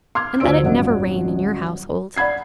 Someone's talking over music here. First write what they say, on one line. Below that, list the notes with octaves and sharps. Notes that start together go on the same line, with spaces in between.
And let it never rain in your household.
C6 D6 F6 G#6
D2 F4 C5 D5 E6 D7
D#1 G#1 F#2 D#5 F#5
D5 F#5 B5 G#6 C7